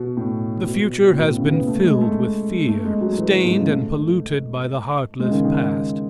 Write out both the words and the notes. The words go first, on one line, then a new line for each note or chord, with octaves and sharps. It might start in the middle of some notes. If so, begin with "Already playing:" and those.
The future has been filled with fear, stained and polluted by the heartless past.
Already playing: B2
A2
B2
B2
B2
A2
B2
C#3
B3
A3
G#3
A3
A3
G#3
F#3
E3
E3
G#2
C#3
A3
G#3
C#3
D#3
D#3